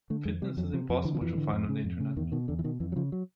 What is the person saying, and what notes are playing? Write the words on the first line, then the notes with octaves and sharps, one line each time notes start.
Fitness is impossible to find on the internet.
D3 A3
F2 G#3
C3 G3
F2 F#3
C3 F3
F2 F3
D3 E3
F3
F2 E3
D3
F2
C#3
F2
C#3
E2 D#3
B2 D#3
E2 D3
E3
B2 D#3
F2 E3
F#3
C#3 F3
F#3